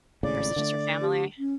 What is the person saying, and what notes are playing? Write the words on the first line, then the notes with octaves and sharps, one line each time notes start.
versus just your family?
G#1 A2 C#3 D5
D3 A3
G4
C#4